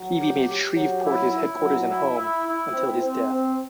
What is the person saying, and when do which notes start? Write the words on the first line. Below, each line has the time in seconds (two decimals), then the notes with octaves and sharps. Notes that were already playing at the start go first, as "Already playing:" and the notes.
Peavy made Shreveport his headquarters and home until his death.
Already playing: F#3
0.20 G4
0.48 G4
0.76 F#3
1.05 E4
1.32 E4
1.60 F#3
1.89 E4
2.17 E4
2.45 E4
2.73 C4
3.02 C4
3.30 C4